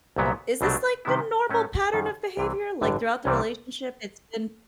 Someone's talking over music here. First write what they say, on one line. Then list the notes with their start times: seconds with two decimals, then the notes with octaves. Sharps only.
Uh is this like a normal pattern of behavior? Like, throughout the relationship, it's been
0.16 C2 A#2 F#3 B3
0.61 C2 B2 F#3 A3 D4
1.05 C3 D#3 G3 B3 E4
1.50 A2 F#3 A3 C#4
1.93 F#2 D#3 G3
2.37 C2 C3 E3
2.81 A1 G2 D3
3.25 C2 C3 E3 G3